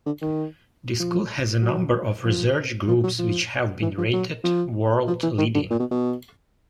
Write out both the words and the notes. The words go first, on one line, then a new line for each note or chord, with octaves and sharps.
The School has a number of research groups which have been rated 'World Leading'.
D3
D#3
F3
F#3
F3
F3
F#3
F3
E3
F3
F#3
F3
F3
E3
D#3
D3
A#2
B2
B2